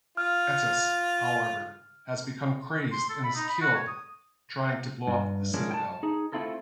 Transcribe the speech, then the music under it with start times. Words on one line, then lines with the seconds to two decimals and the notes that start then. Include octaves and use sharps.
Ettis, however, has become crazed and is killed trying to blow up the Citadel.
0.17 F4 F6
2.92 C6
3.09 A4
3.24 B5
3.36 D#4
3.49 B5
3.62 F#4
3.75 C#5
3.88 D#6
5.07 G2
5.54 F3 G#3 C#4 D4 A#4
5.71 G5 A5
6.03 D#4 G#4
6.32 A3 C4 E4 F4 A4 A#4